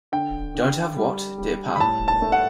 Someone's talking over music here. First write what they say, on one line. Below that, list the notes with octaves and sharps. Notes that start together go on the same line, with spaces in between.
Don't have what, dear Pa?
D3 G5
D3
G3
G3
B5
A2 A5
A5
A3
F#5